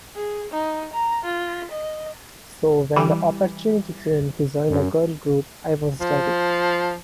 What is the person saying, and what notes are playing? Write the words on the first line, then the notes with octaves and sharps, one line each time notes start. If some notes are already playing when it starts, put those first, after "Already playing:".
So when the opportunity came to join a girl group I was ready!
G#4
D#4
A#5
F4
D#5
E3 G3
F#2
F3